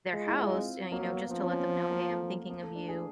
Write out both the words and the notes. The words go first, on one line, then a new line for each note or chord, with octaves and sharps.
their house, and you know, just to let them know, "Hey, I'm thinking of you,
G#3 F4
E4
F4
C4
F#3 A#3
A#3
B3
F3 C4
C#4
C#4
C4
B3
A#3
A3
A#3
A3
D4
G#4